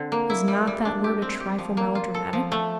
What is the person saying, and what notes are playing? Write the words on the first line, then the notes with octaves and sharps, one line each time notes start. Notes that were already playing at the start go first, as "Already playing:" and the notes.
"Is not that word a trifle melodramatic?"
Already playing: D3 C4
A#3
E4
G3
G3
D4
G4
C4
G4
F3
A#3
F4
A4
F3
A3